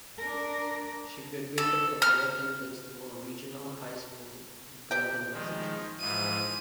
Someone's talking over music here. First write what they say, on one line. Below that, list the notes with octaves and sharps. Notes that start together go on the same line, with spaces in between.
She graduated from Groton-Dunstable Regional High School in Groton, Massachusetts.
D4 A#4
A4
F6
G4 G5
D#3 F3 G#3
G#2 E3 F3 D#7